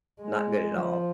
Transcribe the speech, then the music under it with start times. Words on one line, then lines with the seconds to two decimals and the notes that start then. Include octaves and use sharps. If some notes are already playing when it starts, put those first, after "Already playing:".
not good at all.
0.22 G#3
0.76 F3